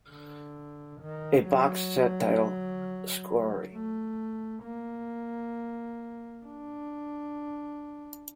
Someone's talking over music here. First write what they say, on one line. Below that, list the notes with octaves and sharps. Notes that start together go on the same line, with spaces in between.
A boxed set titled Sorcery!
D3
D#3
F#3
A3
A#3
D4